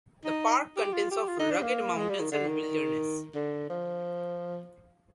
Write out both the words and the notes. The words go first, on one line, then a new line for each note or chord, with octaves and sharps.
The park contains of rugged mountains and wilderness.
D#4
G4
F4
G4
F4
D#4
D4
A#3
G#3
G3
D#3
D3
D#3
D3
F3